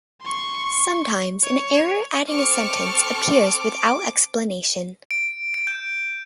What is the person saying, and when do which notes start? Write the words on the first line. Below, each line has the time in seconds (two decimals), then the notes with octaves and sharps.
Sometimes, an error adding a sentence appears without explanation.
0.22 C6 C#6
1.43 C#5
2.28 C4 A4 C#6 D6 F6
5.11 D7
5.54 D7
5.67 G6